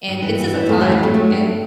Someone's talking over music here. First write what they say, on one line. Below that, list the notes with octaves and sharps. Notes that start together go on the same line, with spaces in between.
and it's just a time and
G2
E3
E3
E3
F2 A3
F#3
F2
G3
F2 A3
F#3 A3
G2